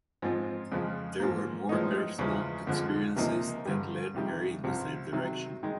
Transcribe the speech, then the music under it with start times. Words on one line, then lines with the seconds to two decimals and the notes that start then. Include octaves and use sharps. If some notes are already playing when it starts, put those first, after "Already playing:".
There were more personal experiences that led her in the same direction.
0.22 G#2 F3 G#3 C4 F4
0.72 F2 C#3 F3 G#3
1.20 G#2 F3 A#3
1.69 A2 F3 G#3 B3 D#4
2.19 E2 C#3 F3 G#3
2.67 F2 D3 F3 G#3
3.16 C#2 C3 F3 A#3 D#4
3.65 G2 D3 G3
4.14 F2 C3 D#3 G3
4.64 C2 C3 F3
5.13 C3 D#3 F#3
5.63 D#3 G#3